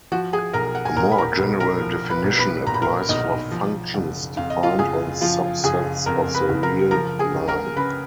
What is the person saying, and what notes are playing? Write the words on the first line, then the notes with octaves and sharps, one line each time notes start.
A more general definition applies for functions defined on subsets of the real line.
F3 F#4 F#5
G#4 G#5
B1 A#4 A#5
F#5
G#5
A#2 A#4 A#5
B5
A#4 A#5
B1
A#4 A#5
F3
B4 B5
B1
B4 B5
A#2 A#5
B5
A#4 A#5
B1 D#4 D#5
F3
F#1
F2 F5
D#5
F4 F5
F#1 G#4 G#5
F3 F4 F5
F#1 G#4 G#5
F2 A#4 A#5
B4 B5
F#1
A#4 A#5
F3 A#4 A#5
G#4 G#5
C#2
A#4 A#5
C#3 B4 B5